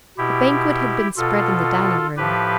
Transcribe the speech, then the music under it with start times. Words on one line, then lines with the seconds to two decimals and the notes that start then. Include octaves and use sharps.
A banquet had been spread in the dining-room.
0.17 B2 E4 G4
1.17 B2 F4 A4
2.17 A2 F3 G4 B4